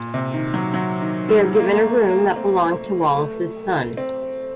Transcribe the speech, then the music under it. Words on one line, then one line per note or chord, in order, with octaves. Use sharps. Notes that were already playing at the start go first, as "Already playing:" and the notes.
They are given a room that belonged to Wallace's son.
Already playing: A#2
C3
D#3
F#3
F#3
D#3
G3
A#3
A3
A#3
A3
A#3
C4
A3
C4